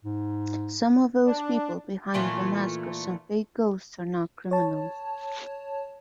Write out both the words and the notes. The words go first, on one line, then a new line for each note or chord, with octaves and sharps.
Some of those people behind the mask of some fake ghosts are not criminals.
G#2
D4
A#2 E3 A3 F4
C#5 A5